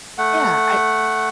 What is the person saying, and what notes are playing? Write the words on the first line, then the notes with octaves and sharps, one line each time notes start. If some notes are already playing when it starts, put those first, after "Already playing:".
Yeah, I
A3 F#5